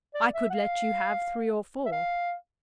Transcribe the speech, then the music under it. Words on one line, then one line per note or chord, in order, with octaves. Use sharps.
I could let you have three or four.
D5
E5
F#5
F5
E5
F5